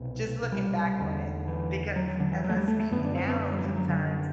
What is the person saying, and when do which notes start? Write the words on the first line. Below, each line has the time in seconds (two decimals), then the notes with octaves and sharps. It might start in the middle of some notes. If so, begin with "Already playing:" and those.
just looking back on it, because, as I speak now and sometimes
Already playing: C2 B2
0.52 G3
1.00 E2 D3
1.48 E3
1.96 F#3
2.08 F#3
2.20 D3
2.32 E3
2.44 F#3
2.49 A3
2.57 G3
2.68 A3
2.80 A3
2.91 F#2 B3
2.97 D3
3.05 D4
3.15 C4
3.28 B3
3.39 B3
3.52 G3
3.59 F#3
3.63 G3
3.76 F#3
3.88 D3